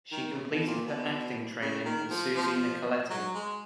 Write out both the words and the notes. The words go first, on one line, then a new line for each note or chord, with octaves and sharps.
She completed her acting training with Susi Nicoletti.
D#3
C#3
B2
A#2
B2
C#3
D#3
F3
F3
F#3
G#3